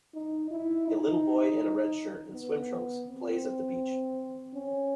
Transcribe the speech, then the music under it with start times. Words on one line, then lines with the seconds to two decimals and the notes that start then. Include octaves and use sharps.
A little boy in a red shirt and swim trunks plays at the beach.
0.14 D#4
0.51 E4
0.88 D#4
2.35 B3
3.07 C4
4.55 C#4